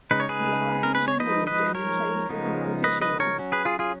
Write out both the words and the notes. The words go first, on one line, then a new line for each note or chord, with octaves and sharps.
The eye was removed and replaced with an artificial one.
C#3 G#3 D#4 B4
C#5
G#4 B4
A#4
B4
C#5
F3 G#3 D#4 B4 D#5
B4 D#5
A#4 C#5
C#3 F3 G#3 B3 D#4
B4 D#5
B4 D#5
A#4 C#5
F#3 C#4
G#4 B4
F4 G#4
F4 G#4